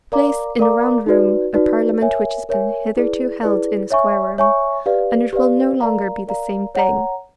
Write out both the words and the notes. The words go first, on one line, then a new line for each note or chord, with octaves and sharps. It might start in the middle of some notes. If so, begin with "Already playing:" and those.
Place in a round room a parliament which has been hitherto held in a square room, and it will no longer be the same thing.
A#4 D5 F5 A#5 D6
A#4 D5 F5 A#5 D6
D#4 F#4 B4 D5
D#4 F#4 B4 D5
A#4 C#5 E5 G#5
A#4 C#5 E5 G#5
E4 G#4 B4 D5
E4 G#4 B4 D5
C#5 E5 G#5 C#6
C#5 E5 G#5 C#6
G4 B4 D5 F5
G4 B4 D5 F5
A#4 D5 F5 A#5
A#4 D5 F5 A#5
C#5 F#5 A#5